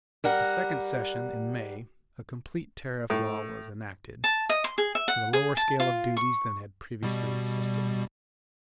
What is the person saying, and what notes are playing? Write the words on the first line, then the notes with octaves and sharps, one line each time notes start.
At the second session, in May, a complete tariff law was enacted, with a lower scale of duties than had previously existed.
G3 A#4 F#5
A2
A5
D#5
C6
G#4
E5
F#5
G#4
A5
F4
C#6
B2 G3